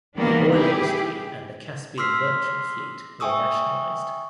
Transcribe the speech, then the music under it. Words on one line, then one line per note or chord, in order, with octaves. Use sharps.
The oil industry and the Caspian Merchant Fleet were nationalized.
D#3 E3 G3 A#3 B3 D4
E4 G4 G#4
C6 D6 E6 F6 B6 C7
E5 G5 G#5 C#6 D#6 E6